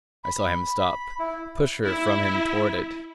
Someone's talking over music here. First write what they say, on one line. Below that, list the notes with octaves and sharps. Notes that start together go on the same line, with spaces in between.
I saw him stop, push her from him toward it.
B5
B5
E4
E4